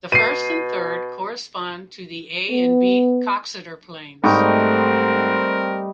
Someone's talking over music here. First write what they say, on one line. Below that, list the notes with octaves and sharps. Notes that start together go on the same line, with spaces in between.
The first and third correspond to the A and B Coxeter planes.
B2 C7 D#7
B3
G#2 G3 A3 C4 D#4 A#4